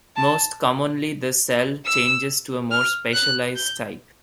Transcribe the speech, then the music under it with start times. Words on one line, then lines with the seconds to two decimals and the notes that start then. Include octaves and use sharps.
Most commonly the cell changes to a more specialized type.
0.16 A5
1.86 E6
2.71 F6
3.14 F#6
3.56 G6